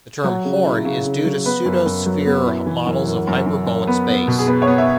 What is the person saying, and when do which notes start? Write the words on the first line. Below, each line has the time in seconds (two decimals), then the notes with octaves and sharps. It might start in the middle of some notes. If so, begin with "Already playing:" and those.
The term "horn" is due to pseudosphere models of hyperbolic space.
0.24 F#3 F#5
0.45 C#3
0.65 E4
0.85 C#3
1.05 C#3
1.25 F#3
1.45 B3 B4
1.65 F#2
1.86 F#2
2.06 F#3
2.25 B3
2.46 E4
2.66 E3
2.86 F#2
3.07 F#2
3.27 F#2
3.46 F#2
3.66 F#2
3.87 B3 B4
4.07 B3
4.28 B2
4.39 G#4
4.47 B3 B4
4.62 C#5
4.67 B3
4.78 E5